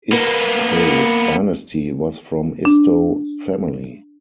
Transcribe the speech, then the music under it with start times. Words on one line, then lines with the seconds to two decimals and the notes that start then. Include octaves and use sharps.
Isdhoo Dynasty was from Isdhoo Family.
0.12 A#3 B3
2.65 D4